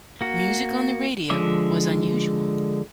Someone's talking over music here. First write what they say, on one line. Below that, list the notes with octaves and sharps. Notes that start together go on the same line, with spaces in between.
Music on the radio was unusual.
A#3 F#4
D3 F3 G#3 E5 D6